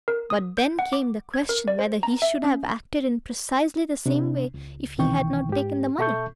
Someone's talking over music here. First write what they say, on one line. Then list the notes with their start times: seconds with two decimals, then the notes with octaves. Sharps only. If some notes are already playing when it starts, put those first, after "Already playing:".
But then came the question whether he should have acted in precisely the same way if he had not taken the money?
0.08 A#4
0.30 D#6
0.58 G6
0.79 F#5
0.93 D6
1.34 G#6
1.49 A#4
1.68 D5
1.79 C5
2.03 A#5
2.22 E5
2.44 C#4
4.06 C3 D4
4.54 C#2
4.98 C2 B2 D#3 E3 G5 C#6
5.49 G#2 G4
5.99 B2 A4 E5 A5 C#6 G6